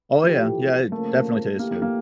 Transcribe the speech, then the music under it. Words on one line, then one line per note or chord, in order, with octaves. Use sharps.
Oh yeah, yeah, it definitely tastes good.
E3 F3 A3 E4 G4
C#3 F3 A3 A#3
F3 A3 A#3 E4 G4
A#3
A#3